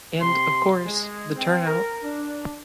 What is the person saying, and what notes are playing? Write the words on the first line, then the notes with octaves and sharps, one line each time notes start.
And of course the turnout.
C3 C6
G#3
C4
A#4
D4